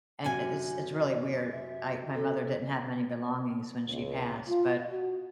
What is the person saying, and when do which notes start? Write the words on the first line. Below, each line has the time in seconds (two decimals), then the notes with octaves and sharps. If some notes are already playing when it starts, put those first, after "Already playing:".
And it it's it's really weird. I my mother didn't have many belongings when she passed, but
0.24 F#2 C3 G#5
1.51 E5
2.14 A4
3.88 C#2
4.47 F4
4.91 F#4